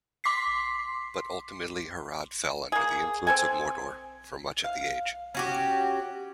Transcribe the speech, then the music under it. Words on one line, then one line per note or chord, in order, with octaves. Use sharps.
But ultimately Harad fell under the influence of Mordor for much of the Age.
C6 D6 B6 C7
A#3 G#4
C4 A4 G#5
F5
C#4 F#4 G4